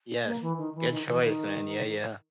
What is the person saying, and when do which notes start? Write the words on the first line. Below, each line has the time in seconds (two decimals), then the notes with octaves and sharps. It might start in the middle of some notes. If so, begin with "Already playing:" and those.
Yes. Good choice, man. Yeah, yeah.
0.25 A#3
0.41 E3
0.58 D#3
0.75 E3
0.91 D#3
1.07 E3
1.24 D#3